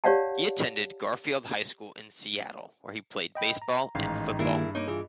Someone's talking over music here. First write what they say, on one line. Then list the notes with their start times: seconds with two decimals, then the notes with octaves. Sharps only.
He attended Garfield High School in Seattle where he played baseball and football.
0.04 G4 C#5 D5 F5 F#5 A5
3.35 D#5 G5 B5
3.62 A#5
3.95 A1 G#2 D#3 F5
4.39 G2 D#3 A#3 E4 G4 G#4 A#4
4.75 A#3 D#4 C#5
4.88 E3 F4 G#4